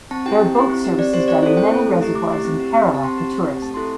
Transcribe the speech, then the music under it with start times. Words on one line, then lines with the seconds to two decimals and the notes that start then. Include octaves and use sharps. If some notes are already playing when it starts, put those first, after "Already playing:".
There are boat services done in many reservoirs in Kerala for tourists.
0.11 C4 A5
0.26 E4 G4 G5
0.40 C4
0.55 E4 G4
0.70 C4
0.84 G4
0.98 C4 D5
1.14 G4 C5
1.28 C4 D5
1.43 E4 C5
1.46 A4
1.57 C4 G5
1.71 E4 A4
1.86 A3
2.01 E4 G4
2.15 A3 D6
2.30 E4 G4
2.45 C4
2.60 G4
2.74 C4
2.89 G4
2.95 A5
3.03 C4 C6
3.18 G4
3.32 C4
3.47 G4
3.62 A3 A5
3.74 C4 E4 A4 C6